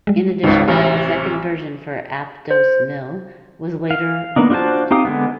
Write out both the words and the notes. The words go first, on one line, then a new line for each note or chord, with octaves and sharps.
In addition, a second version for "Ape Dos Mil" was later released.
G3 G#3
G#1 C#2 B2 D#4
A1 C3 E3 E4
C5
F5
A#3 B3 D4 D#4
D4 F4 F#4 C5 A5
C4 D#4 G4 F5 D#6
D3 G#3 B3